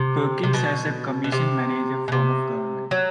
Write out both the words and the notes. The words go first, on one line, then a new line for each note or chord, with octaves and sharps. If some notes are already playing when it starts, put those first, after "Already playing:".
Perkins has a commission-manager form of government.
Already playing: C3
C3
B2
B2
C3
B2
C3
F#3